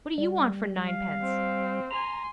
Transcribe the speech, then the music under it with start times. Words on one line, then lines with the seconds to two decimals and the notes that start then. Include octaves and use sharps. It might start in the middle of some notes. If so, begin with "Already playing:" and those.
What do you want for ninepence?
0.18 G3
0.88 F5
1.22 C4
1.91 G#5 A#5 C6